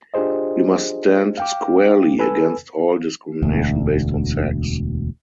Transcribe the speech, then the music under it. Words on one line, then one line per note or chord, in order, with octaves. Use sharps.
We must stand squarely against all discrimination based on sex.
D4 F4 G4 G#4 C5 D#5
F5 G5 D6
A4 B4 G#5 E6
E1 D2